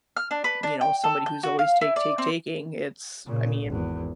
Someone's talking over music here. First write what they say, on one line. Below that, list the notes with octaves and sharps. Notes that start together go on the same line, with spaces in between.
you know, somebody who's always take, take, taking, it's I mean,
F6
D4
B4
D4
G5
A4
G6
F#4
F5
E4
D5
C4
A#2 C#3
G#1 E2